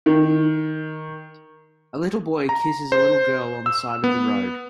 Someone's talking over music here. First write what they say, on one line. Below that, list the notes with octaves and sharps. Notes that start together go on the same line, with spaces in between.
A little boy kisses a little girl on the side of the road.
D#3
A#5
C5
E6
B3